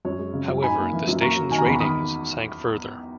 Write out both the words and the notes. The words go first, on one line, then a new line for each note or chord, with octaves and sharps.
However, the station's ratings sank further.
F#2 C#5
G#3
C#3
F#2
D#4 G#5 B5
A#3
E3
F#2
A#3 A#5 C#6
F#3
D#3 G#5
A#5
E2 B5
C#6
D#3 B5 D#6